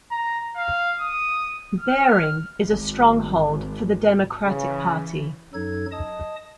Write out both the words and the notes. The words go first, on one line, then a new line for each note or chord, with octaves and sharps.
Baring is a stronghold for the Democratic Party.
A#5
F5
D#6
F6
G#1
C#3 E3
F#2 F#3 D#4 A4 G#6
D#5 A5 D#6